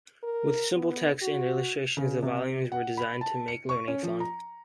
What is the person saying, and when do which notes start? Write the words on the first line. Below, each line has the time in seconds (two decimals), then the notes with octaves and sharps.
With simple texts and illustrations, the volumes were designed to make learning fun.
0.23 A#4
0.76 B3
1.22 F#4
1.97 C#3
2.23 C3
2.72 F#5
2.97 B5
3.21 A5
3.48 C#7
3.69 C#6
3.88 C#4
4.03 F3
4.20 A#5